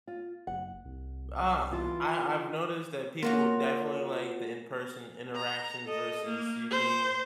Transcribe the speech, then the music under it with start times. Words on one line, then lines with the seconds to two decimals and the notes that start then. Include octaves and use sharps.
Uh, n I I've noticed that people definitely like the in-person interactions versus you being
0.07 F4
0.47 F#1 F#5
0.85 C2
1.71 E3 F4 A5
3.23 A#3 F4 F#4 C#5
5.36 A#5
5.85 A4 D#5
6.25 A#3
6.71 C5